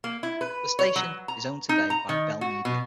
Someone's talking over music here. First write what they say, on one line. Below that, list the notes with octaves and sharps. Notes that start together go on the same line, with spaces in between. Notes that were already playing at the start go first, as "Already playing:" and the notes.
The station is owned today by Bell Media.
A#3
E4
B4
C#5
F#3
A#5
D#4
A#5
D#3
F#4
B2